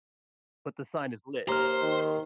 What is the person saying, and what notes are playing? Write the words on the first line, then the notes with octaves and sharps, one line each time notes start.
But the sign is lit?
D#2 C5 A#5 F6
D#3